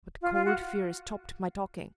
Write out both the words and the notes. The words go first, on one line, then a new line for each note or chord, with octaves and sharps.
But cold fear stopped my talking.
F4
F4
F#4